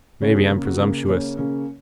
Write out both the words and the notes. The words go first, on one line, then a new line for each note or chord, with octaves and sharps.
Maybe I'm presumptuous.
C#3 A#3 C#4 C#5
F#4
G#4
C#3 A#3 C#4 G#4
F#4
C#3 A#3 C#4 G#4
C#3 A#3 C#4 C#5
C#3 A#3 C#4